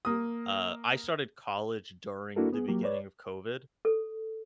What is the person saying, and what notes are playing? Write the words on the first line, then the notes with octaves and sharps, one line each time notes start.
Uh, I started college during the beginning of COVID,
A#3 D#6
A#3 D4 E4 F#4 A4 A#4
B3 G#4
F#3 A#3 G4
B4 C#5 D5
A4